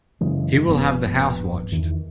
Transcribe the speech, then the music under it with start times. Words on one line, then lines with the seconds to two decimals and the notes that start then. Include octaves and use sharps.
He will have the house watched.
0.21 F#2 C#3 E3 G#3
0.67 D#1 G2 F3 B3
1.72 E2 D#3 E3